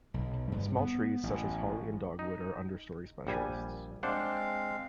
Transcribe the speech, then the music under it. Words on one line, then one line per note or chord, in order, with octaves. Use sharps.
Small trees such as holly and dogwood are understory specialists.
B1
G2
B3
A1
D#4
A#1 G3 G#5
G#3 C4 D4 C5 F5 F#5